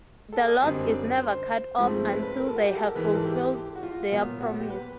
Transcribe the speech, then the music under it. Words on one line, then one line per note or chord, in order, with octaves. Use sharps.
The lock is never cut off until they have fulfilled their promise.
A4
D#5
F#2 D3 G3 C4
C5
G#2 F3 A3 C4
B4
B4
A#4
A4
F#4
G4
A4
A#4
G#2 E3 G#3 B4
A#4
A4
G4
F#4
F4
A#2 F#3 B3
F#4
G4
B4